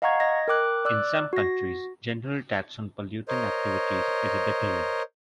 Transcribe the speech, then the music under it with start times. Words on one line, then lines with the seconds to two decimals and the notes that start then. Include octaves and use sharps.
In some countries, general tax on polluting activities is a deterrent.
0.02 D#5 F5 F#5 A#5 C#6 G#6
0.20 D#5 G#6 A#6
0.48 A#4 G5 D6 F#6
0.85 D5 D6 E6 F#6
1.33 F#4 A#6
3.28 A#4 C5 C#5 D#5